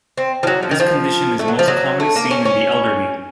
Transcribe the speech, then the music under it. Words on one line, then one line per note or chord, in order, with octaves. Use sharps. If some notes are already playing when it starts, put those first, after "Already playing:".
This condition is most commonly seen in the elderly.
C4
F3
F#3
F3
D#3
F3
A3
F#3
F3
F#3
A3
A#3
C#4
C#4